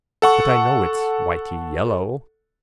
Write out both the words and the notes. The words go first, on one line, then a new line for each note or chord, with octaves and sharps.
But I know it's whitey yellow.
A4 F#5 C#6